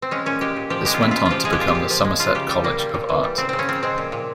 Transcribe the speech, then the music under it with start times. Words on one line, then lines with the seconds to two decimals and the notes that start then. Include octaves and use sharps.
This went on to become the Somerset College of Art.
0.02 C4
0.11 G#3 C#4
0.26 A#2 C#4
0.41 G#3 G4
0.56 A#2
0.70 F3 G4
0.85 G#3 G4
0.94 F4
1.01 C#3 E4
1.11 C#3 F4
1.25 F4
1.31 F3 G4
1.45 G#3 G#4
1.53 G4
1.60 A#2 F4
1.68 G4
1.75 A#2
1.90 F3
2.04 G#3
2.19 C#3 F4
2.35 C#3 G4
2.49 G3
2.64 A#2 A#3
2.79 G3
2.94 A#2
3.09 E3
3.24 G3
3.38 C#3 C4
3.49 C#3 C4
3.59 C#4
3.69 F3 C4
3.83 G#3 C4
3.98 A#2
4.12 A#2